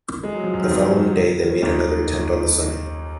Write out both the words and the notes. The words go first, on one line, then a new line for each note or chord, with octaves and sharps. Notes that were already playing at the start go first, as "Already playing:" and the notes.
The following day they made another attempt on the summit.
G#3
F#3
F3
F#2 F#3
D#3
F2 F3
D#2 D#3